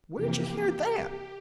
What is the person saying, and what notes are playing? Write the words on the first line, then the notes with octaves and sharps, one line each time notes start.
"Where'd you hear that?"
F2 C3 E3 A#3 G4